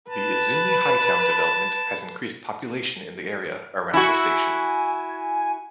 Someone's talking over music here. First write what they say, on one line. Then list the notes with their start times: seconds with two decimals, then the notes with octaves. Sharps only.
The Izumi Hightown development has increased population in the area around the station.
0.10 B4 A5
3.94 E4 F#4 G#5